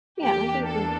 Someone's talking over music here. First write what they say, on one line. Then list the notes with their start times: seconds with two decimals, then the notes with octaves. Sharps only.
Yeah, and I think in
0.22 E2 E3 A#3 D4 G4
0.64 A4